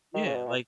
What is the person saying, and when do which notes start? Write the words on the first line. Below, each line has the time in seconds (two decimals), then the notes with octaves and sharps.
Yeah, like
0.14 D#3
0.26 C#3
0.36 B2
0.47 A#2